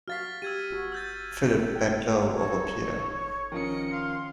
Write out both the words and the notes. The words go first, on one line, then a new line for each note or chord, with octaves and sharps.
Philip bent low over Pierre.
F#4 F5 F6 A6 B6
G4 E6 G#6 D#7
F#4
E6 G6 A6
A3
A4 G5
D#4 A4 C#5
D#3 F3 C#4 D#5 C#7
F5 C6